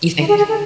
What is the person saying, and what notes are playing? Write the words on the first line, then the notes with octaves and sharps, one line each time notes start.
You think?
E4
G#4
G#4
A4